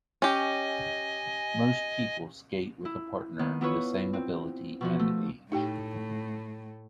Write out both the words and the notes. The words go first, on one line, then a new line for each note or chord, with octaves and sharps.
Most people skate with a partner the same ability and age.
C#4 G4 D#5 G#5
E4
D#3 B3
B3 D4 E4 F4 B4 C#5
C4
B2 F3 F#4
A3
A2 A3 D#4 G4 G5